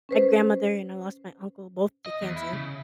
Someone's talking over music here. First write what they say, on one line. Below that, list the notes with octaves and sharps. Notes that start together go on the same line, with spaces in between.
my grandmother and I lost my uncle both to cancer.
C#4 B4 C5
D#5
E2
E4
C#3